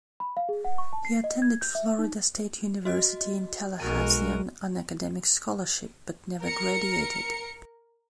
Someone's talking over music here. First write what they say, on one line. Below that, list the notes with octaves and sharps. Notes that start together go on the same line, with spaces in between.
He attended Florida State University in Tallahassee on an academic scholarship, but never graduated.
B5
F5
G#4
F#5
C#6
A5
C7
D#5
G#6
G6
E5
D#4
F#4 D#5
B1 G#3 F#4 A#4 D#7
A#4 C#7